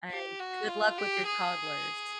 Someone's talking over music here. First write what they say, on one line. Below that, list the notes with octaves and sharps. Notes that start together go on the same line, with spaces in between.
And good luck with your toddlers.
G4
F#4
F4
G4
G#4